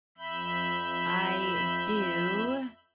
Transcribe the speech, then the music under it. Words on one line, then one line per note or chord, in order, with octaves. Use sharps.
I do.
F2 E5 B5 G6